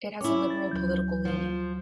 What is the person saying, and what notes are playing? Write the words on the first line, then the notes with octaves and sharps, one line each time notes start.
It has a liberal political leaning.
C#4 E4 G#5 D6
A6
D2 F#3 G6
F3 F4